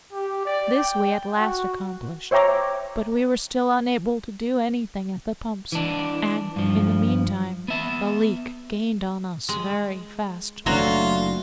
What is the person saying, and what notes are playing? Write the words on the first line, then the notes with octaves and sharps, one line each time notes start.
This we at last accomplished--but we were still unable to do any thing at the pumps; and, in the meantime, the leak gained on us very fast.
G4
D5
G5
F#4
C5 C#5 E5 G5 A#5 D6
E3 D4
G2 F3
B3 E5
G#3
F#1 E3 F#3 A3 D4 F4 F#4 C#5